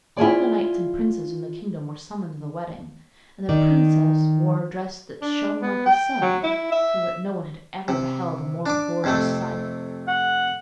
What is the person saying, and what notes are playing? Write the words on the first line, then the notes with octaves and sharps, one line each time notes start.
All the knights and princes in the kingdom were summoned to the wedding, and the princess wore a dress that shone like the sun, so that no one had ever beheld a more gorgeous sight.
E4 F4 G#4 D5
D#3 D#4 D5
D4
B3
G5
F#3
E4
E5
C3
D4 D6
F2 C3 A3
F#5